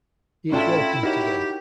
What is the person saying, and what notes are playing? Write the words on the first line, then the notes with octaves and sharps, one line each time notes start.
He is welcome to them.
A2 C#4 D4 E4 F4 G#4 A4 G5
D#4 F#4 G4 A#4 C#5